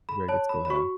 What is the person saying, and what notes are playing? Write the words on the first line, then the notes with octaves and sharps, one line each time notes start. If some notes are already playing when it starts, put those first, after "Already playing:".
Very good skill to have.
B5
C#5 A5
B5
B5
F#4 C#6